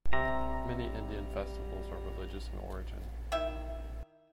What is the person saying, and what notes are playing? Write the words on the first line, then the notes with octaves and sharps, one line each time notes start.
Many Indian festivals are religious in origin.
C3 G3 A#5
D#3 E4 E5